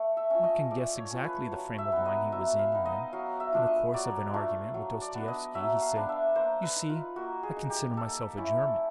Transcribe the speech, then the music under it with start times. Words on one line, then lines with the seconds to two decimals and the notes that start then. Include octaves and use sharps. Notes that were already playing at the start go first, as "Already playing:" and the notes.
One can guess exactly the frame of mind he was in when, in the course of an argument with Dostoevsky, he said: "You see, I consider myself a German."
Already playing: A3
0.17 E5
0.30 C#4 F4
0.44 D#5
0.71 A3 D5
0.97 C#5
1.11 C#4 F4
1.24 B4
1.52 F#3 C#5
1.78 E5
1.92 B3 D#4
2.05 D#5
2.32 F#3 E5
2.59 F5
2.72 B3 D#4
2.86 D#5
3.13 F#3 F5
3.40 E5
3.53 A3 D4 F4
3.67 D#5
3.94 F#3 D5
4.34 A3 D4 F4
4.74 F#3
5.01 D5
5.15 B3 D4
5.28 D#5
5.55 F#3 E5
5.82 F5
5.95 B3 D4
6.09 E5
6.36 A#3 C5
6.63 B4
6.76 D#4
6.90 F4
7.16 A#3 F#4
7.43 G#4
7.57 D#4
7.70 G4
7.97 A#3 A4
8.37 C#4 E4